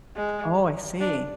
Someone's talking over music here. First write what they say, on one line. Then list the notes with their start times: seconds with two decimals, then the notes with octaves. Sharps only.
Oh, I see.
0.16 G#3
1.01 D4